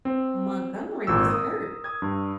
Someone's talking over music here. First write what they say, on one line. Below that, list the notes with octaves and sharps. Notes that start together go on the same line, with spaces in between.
Montgomery was hurt,
C4
G#1 A#2 E6
A#4 D#6
D#6 G#6
G2